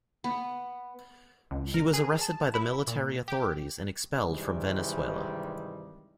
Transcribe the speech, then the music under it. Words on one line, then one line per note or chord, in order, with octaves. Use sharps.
He was arrested by the military authorities and expelled from Venezuela.
B3
C#2
A#4
G#4
A5
E4
A#2
G4
G2 C3 D#3 E3 G3 G#3